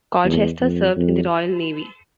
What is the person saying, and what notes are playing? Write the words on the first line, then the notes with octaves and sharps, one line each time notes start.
Colchester served in the Royal Navy.
E2
F2
F2